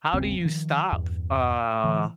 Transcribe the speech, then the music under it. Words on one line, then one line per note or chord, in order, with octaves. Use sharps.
How do you stop, uh,
G#1 D#2 C#3 C4
D#3 F3
E2 G2
D3 E3